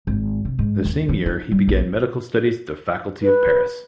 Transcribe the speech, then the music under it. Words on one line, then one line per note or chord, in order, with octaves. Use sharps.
The same year he began medical studies at the Faculty of Paris.
G#1
C3
G#2
D#2
E3
D#4
G3
A#1
B4